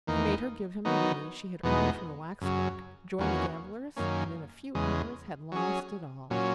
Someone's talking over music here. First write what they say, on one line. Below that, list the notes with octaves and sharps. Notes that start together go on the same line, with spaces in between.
He made her give him the money she had earned from the waxwork, joined the gamblers and in a few hours had lost it all.
E2 D#3 A#3 D#4
D#3 F#3 B3 D#4
E2 B2 G#3 B3 D#4
F#2 C#3 F#3
E2 D#3 A#3 C#4 F#4
F#2 D#3 A#3 C#4
E2 C#3 G#3
F#3 C#4 G#4
A#2 F#3 C#4